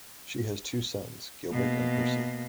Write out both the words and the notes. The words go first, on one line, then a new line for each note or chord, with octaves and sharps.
She has two sons, Gilbert and Percy.
B2 A#3